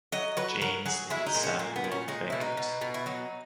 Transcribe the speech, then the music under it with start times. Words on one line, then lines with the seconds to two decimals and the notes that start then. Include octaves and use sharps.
James and Samuel Beckett.
0.12 F#3 D#5
0.37 F#3 B4
0.62 F#3 A#4
0.86 F#3 G#4
1.10 G#3 E4
1.26 D#4
1.35 A#2
1.43 C#4
1.59 A#2 A#3
1.76 B3
1.84 A#2
1.92 C#4
2.08 G#3 D#4
2.30 B2 E4
2.41 D#4
2.57 B2
2.81 B2
2.94 E4
3.06 F#3 D#4